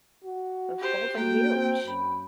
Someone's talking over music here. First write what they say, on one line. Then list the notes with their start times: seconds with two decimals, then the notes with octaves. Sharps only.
Those goals are huge.
0.24 F#4
0.79 G4 C5
1.17 A3 A#3 F#4 G5
1.54 C4
1.87 F#2 B5